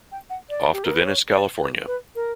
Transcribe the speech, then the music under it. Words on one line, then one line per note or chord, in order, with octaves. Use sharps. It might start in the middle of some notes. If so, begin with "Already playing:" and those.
Off to Venice, California.
G5
F#5
D5
G4
A#4
B4
C#5
D5
B4
B4
A#4